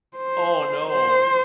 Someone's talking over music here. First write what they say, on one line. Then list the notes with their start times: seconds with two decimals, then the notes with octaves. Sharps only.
Oh no.
0.17 C5
0.88 C5